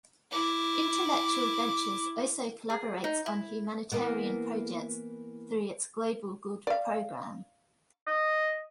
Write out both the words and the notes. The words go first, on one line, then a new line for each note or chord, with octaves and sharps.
Intellectual Ventures also collaborates on humanitarian projects through its Global Good program.
E4 D6
G#4
D#4
E4
E3 A#3 B3
D5 F5
D#5